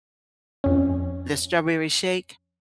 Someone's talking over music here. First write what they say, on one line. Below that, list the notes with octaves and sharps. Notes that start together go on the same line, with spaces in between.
the strawberry shake
F2 C#4